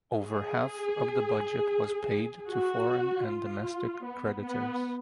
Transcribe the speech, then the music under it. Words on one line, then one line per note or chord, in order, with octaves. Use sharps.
Over half of the budget was paid to foreign and domestic creditors.
G#4
F#4
F4
B3
B3